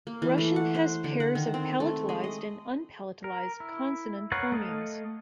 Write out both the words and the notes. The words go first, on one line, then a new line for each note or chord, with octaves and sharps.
Russian has pairs of palatalized and unpalatalized consonant phonemes.
A#3
E3
A3
F#5
C5
D3
F#5
D#3
C4
A3
G#3
D#5
A#4
E4
A#4 B4 C#5 F5 F#5
A3 D#5 F5